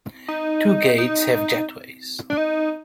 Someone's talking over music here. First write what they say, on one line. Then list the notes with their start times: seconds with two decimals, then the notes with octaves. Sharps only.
Two gates have jetways.
0.28 D#4
0.98 D#4
2.30 D4
2.37 D#4